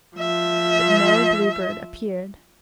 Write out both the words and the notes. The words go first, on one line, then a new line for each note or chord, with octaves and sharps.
But no Blue Bird appeared.
F3 E5